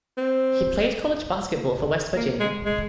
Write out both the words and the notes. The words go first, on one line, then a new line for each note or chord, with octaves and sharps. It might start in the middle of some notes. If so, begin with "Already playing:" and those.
He played college basketball for West Virginia.
C4
A#3
G#3
G#3